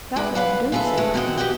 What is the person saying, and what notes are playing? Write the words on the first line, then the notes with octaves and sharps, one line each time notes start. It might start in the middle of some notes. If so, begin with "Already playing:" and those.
"That won't do," said Putney.
G#3 B3 D4 E4
B4 F5 F#5
F4 G#4 A4 B4 E5
G#3 A3
F#2 D#3 C4 A#4 D#5 F#5
F#4 G4 C5 D#5 F#5 G5